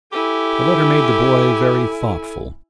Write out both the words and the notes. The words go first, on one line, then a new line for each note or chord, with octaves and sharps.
The letter made the boy very thoughtful.
E4 G4 A4 G#5